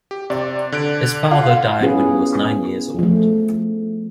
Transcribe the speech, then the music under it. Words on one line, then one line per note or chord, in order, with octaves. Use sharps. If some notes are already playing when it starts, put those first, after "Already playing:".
His father died when he was nine years old.
G4
C3 D5
D3 F#6 D7
F4 F#5
B3 C#4 E4 F4 G#4 B4
F3 A3